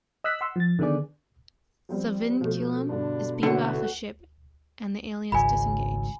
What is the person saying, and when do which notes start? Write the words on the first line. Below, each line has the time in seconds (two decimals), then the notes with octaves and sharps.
The vinculum is beamed off the ship and the aliens disengage.
0.24 D#5 E6 F#6 B6
0.41 F#5 C6 E6
0.56 F3 A6
0.79 D3 D#3 B3 D4 G#4 D5
1.89 F3 G3 C4
2.41 B2 F3 A3
2.89 G2 D3 D4
3.43 E2 D3 A3 C#4 F#4
5.32 G#1 C#2 G#5 B5